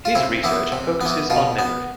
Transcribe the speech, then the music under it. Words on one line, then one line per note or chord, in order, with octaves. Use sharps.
His research focuses on memory.
F4
C3 E4
E3 B3 E4
C3
E3 B3
B2 F4
B3